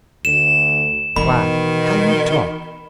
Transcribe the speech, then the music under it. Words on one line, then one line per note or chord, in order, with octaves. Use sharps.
Why, how you talk!
D2 E7
B2 D#3 E3 B3 B5